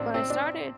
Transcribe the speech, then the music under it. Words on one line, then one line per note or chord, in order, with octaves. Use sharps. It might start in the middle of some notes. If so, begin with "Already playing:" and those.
but I started
Already playing: A1 C4 D4
C4
D4